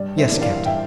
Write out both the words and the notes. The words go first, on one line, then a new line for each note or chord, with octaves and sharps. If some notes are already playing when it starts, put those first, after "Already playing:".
"Yes, captain."
Already playing: G2 D5
C5 E5
E3 A#3 D4
D5 F5
F5
E5 G5